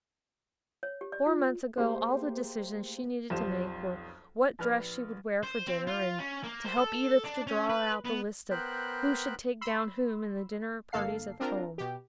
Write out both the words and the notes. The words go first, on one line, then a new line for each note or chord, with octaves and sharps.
Four months ago, all the decisions she needed to make were what dress she would wear for dinner, and to help Edith to draw out the lists of who should take down whom in the dinner parties at home.
C#5
G4
D5
F4
A3 A#3 G4 G#4 C5
B1 F2 G3 C5 E7
A#1 B4 F6
C5
C4
F4
C#4
A#3
C5
A4
D4
C#4
B4
B3
B3 A#4 C5 G5 B5 F#6
B5 C6 E6
G1 A#3 A4 F5 C7
C4 D4 F4 A#4 A#5
B2 G4